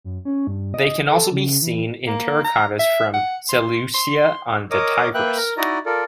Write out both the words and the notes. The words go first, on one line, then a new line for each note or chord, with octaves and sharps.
They can also be seen in terracottas from Seleucia on the Tigris.
F#2
C#4
G2
D#5
A4
C#3
E3
A#3
A#5
E5
F#5
C6
C6
A#4 C#5 D#5 D6 D#6
A#3 B4 E5 G5 F#6
A#4 A#5
D#4 E4 F#4 D5 D#5 A#5
F4 A4 A#4 D5